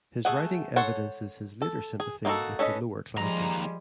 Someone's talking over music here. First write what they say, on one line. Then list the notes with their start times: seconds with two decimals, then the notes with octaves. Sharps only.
His writing evidences his later sympathy with the lower classes.
0.25 A3 G#4 F#5
0.76 A4 C5 C#5 F#5
1.62 A4
2.00 G#4
2.25 A#3 D#4 F4 F#4 A4
2.59 C#4 A4 B4 D#5
3.17 D#2 F3 G3 G#3 A#5